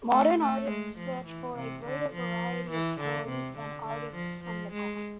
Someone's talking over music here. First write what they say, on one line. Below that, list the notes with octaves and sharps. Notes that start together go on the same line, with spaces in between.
Modern artists search for a greater variety of tones than artists from the past.
A3
A3
G#3
F3
E3
C3
D3
F3
E3
D3
C3
D3
D3
F3
F3
G#3